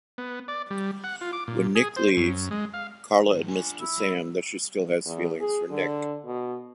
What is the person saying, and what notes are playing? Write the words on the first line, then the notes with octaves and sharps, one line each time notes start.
When Nick leaves, Carla admits to Sam that she still has feelings for Nick.
B3
D5
G3
F#5
F4
D6
A#2
G#4
C5
F#2
G#3
F5
G#2 D#3
D4 F4 G#5
E4
F#3
E2
G#4
D3
B2